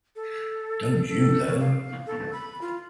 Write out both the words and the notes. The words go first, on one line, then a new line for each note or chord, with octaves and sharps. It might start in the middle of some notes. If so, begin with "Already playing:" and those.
Don't you, though!
A4
A4
C#5
F5
A4
B5
F4